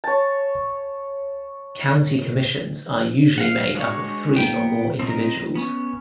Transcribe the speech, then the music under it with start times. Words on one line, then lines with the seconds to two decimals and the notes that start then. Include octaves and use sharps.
County commissions are usually made up of three or more individuals.
0.04 C#5 A5
3.38 F5 F#5
3.75 G#3 D4 F#4 C#5
4.36 A#3 B3 G5
4.99 C4 D#4 A#4 D#5
5.55 B3 C#4